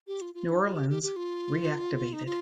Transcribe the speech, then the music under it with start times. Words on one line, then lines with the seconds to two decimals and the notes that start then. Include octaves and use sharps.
New Orleans reactivated.
0.07 G4
0.21 F4
0.35 F4
0.49 D#4
0.62 F4
0.76 G4
0.90 G4
1.03 G4
1.16 F4
2.13 D#4
2.26 F4